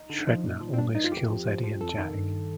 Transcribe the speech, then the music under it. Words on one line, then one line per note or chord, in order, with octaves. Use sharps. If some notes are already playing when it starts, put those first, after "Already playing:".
Sredna almost kills Eddie and Jack.
Already playing: D#4
D3
F3
A#2
F3
C4
G2 D4
G2 D#4
F4
F2 G4
F3
F3
F3
F2 A4
D#3
G2